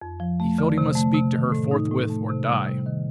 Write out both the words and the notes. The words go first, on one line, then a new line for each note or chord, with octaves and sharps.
He felt he must speak to her forthwith, or die.
F2
F3
A3
D3
C3
A3
C3
D#3
A2
D#4
A2
A3
C3
G3
C3
D#3